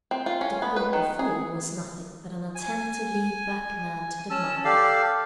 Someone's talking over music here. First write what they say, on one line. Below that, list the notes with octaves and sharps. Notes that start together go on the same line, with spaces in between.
The Court buffoon was nothing but an attempt to lead back man to the monkey.
C4
F4
C#4
B3
B4
D#3
G#4
G#5
C#4 A5 E6
G4 A4 D5 F5